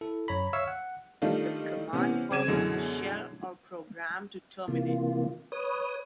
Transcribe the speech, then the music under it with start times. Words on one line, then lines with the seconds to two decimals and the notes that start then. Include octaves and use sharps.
The command causes the shell or program to terminate.
0.01 E4 A4
0.28 F#2 C#5 A#5 B5
0.53 C#5 E5 F5 C#6 E6
0.68 F#5
1.22 D#3 G3 A3 D4 D#4 F4
1.93 C3 E3 B3 C#4
2.31 C#3 C4 D6 G#6 D#7 E7
2.47 F#2 B2 D3 E3 G#3
4.68 C3 E3 A#3 F4
5.52 B4 C#5 D#6